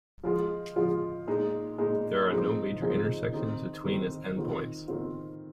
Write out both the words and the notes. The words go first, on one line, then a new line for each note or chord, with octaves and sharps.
There are no major intersections between its endpoints.
F3 G#3 F4
F3 G#3 F4
A#2 G#3 D#4
A#2 G#3 D#4
F3 G#3 C4 D#4
F3 G#3 C4 D#4
D#3 C4 D#4
D#3 C4 D#4
D#3 C4 F4
D#3 C4 F4